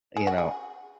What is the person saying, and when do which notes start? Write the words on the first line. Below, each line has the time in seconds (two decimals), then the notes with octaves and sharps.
you know,
0.17 G#4
0.27 F#4
0.38 G#4